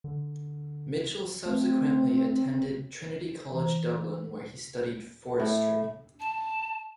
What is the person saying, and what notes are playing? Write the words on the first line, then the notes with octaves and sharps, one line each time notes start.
Mitchel subsequently attended Trinity College Dublin where he studied forestry.
D3
A3 C4
E3 C5 A#5
A2
A5